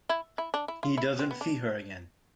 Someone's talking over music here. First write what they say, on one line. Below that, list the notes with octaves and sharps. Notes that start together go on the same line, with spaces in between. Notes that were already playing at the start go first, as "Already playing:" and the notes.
He doesn't see her again.
E4
E4
D4
E4
F4
E4
C4
B3
D4